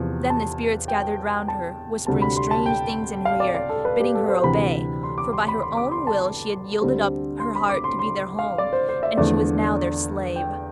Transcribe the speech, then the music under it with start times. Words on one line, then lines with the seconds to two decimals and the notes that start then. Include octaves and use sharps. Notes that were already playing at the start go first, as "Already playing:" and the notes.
Then the spirits gathered round her, whispering strange things in her ear, bidding her obey, for by her own will she had yielded up her heart to be their home, and she was now their slave.
Already playing: E2 C3 F3
0.30 A5
0.88 G5
1.48 A5
2.07 D2 C3 G3 A5
2.22 B5
2.36 C6
2.51 A5
2.66 G5
3.25 F5
3.40 D5
3.55 D5
3.69 A4
3.85 B4
4.00 G4
4.15 A4
4.29 C5
4.43 D2 C3 E3 B5
5.03 C6
5.18 D6
5.33 C6
5.48 B5
5.62 C6
5.77 D6
5.91 C6
6.07 A5
6.81 D2 D3 G3 C4
7.40 C6
7.55 B5
7.69 D6
7.84 C6
7.99 C6
8.39 F5
8.58 D5
8.73 C5
8.89 C5
9.03 E5
9.17 E2 D3 F3 A3 D5
10.36 G5